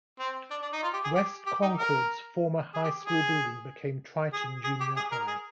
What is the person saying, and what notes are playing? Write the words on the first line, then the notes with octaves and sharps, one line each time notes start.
West Concord's former high school building became Triton Junior High.
C4
D4
D4
D#4
F4
G4
G#4
G4
G4
D#4
A#4
G#4
G4
G#4
G#4
G#4
G4
G#4
A#4
G#4